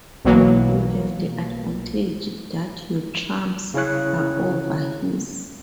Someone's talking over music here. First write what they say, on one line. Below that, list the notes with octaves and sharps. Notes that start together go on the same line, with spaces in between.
You have the advantage that your trumps are over his.
B1 B2 E3 F#3 A#3
C#3 C#4 E4 C#5 F#6